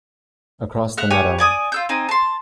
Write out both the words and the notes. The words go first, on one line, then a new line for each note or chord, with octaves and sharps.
Across the meadow.
E5 F#5 F6
G4 C#5 F#5 G#5
D5 G#5 D#6
F4 E6 G6
C4 D#4 G#5
A5 C6